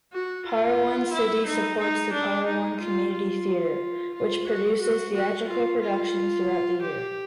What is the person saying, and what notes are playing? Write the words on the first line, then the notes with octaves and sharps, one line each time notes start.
Parowan City supports the Parowan Community Theatre, which produces theatrical productions throughout the year.
F#4
F4
E4
D#4
D#4
D4
D#4
F4
F4
F4
F#4
F#4
F#4
F4
F4
G4